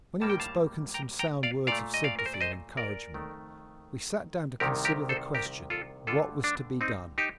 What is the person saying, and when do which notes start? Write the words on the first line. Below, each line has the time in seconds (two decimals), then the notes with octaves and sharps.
When he had spoken some sound words of sympathy and encouragement, we sat down to consider the question, What was to be done?
0.21 A2 G3 A#3 A5
0.30 G5
0.40 F5 A5
0.94 G5 A#5
1.19 G5 A#5
1.43 D5 F5
1.67 A#2 A3 D5 F5
1.94 D#5
2.04 D5 F5
2.19 A#4
2.26 C5
2.34 D5
2.41 C5 D#5
2.77 A#4 D5
3.14 F2 D#3 A3
4.60 C2 C3 D#3 G4 A#4
4.85 G4 A#4
5.09 A4 C5
5.35 G4 A#4
5.70 F4 A4
6.07 G2 D3 A3 F4 A4
6.44 D4
6.81 C4 D#4
7.18 D#4 G4